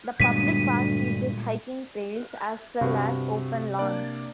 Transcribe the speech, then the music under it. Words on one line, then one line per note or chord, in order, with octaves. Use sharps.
The public park features hiking trails, as well as open lawns.
D2 G2 A#2 G#3 B3 B6 D#7
G2 C3 F#4
A#3 D4 D5